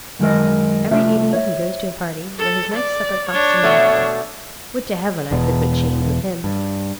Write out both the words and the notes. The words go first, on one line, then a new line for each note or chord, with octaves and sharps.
Every evening he goes to a party, where his nice supper costs him nothing: would to Heaven I could but change with him!
F#2 D#3 G#3 G#4 A#4 D#5
C2 F3 A3 D4 F4 E5
C#5 E5
A4
D5
D4 C#5
B2 A3
E1 E2 B2
G2